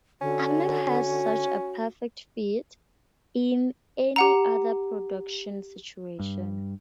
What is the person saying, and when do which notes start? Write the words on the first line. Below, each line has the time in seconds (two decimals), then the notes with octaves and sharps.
I've never had such a perfect fit in any other production situation.
0.21 D3 C#4 F#4
4.16 G4 F#5 A#5
6.19 G2